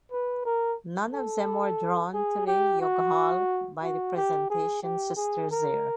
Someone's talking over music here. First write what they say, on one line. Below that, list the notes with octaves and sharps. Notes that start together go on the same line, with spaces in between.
None of them were drawn in youghal by the Presentation sisters there.
B4
A#4
A4
G#4
G4
F#4
F#4
G4
G#4
G4
G#4
A#4